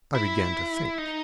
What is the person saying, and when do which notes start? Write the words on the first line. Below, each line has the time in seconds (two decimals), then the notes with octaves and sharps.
I began to think.
0.15 E4
0.98 D#4